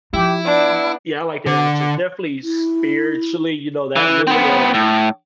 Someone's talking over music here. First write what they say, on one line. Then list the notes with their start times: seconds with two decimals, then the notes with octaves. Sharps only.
Yeah, I like that answer, definitely spiritually, you know, that really, um
0.14 F3 E4 G4
0.45 B3 D4
1.46 D3
2.43 E4
3.96 E3
4.27 B3 C4
4.74 A2